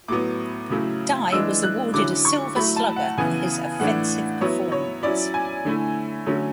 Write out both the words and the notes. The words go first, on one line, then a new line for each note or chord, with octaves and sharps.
Dye was awarded a Silver Slugger for his offensive performance.
A2 F#3 B3 D6
C#3 F#3 A3 E4
E3 G#3 D4 E6
F#6
D3 F#3 C#4 E4 D6
C#6
F#3 A3 E4 B5
A5
F#5
C#3 E3 B3 G#5
A2 E3 A3 D4 F#5
F#3 B3 E4 C#5
C#5
F#3 C#4 E4 D5
G#5
D3 A3 E4
D3 F#3 A3 C#4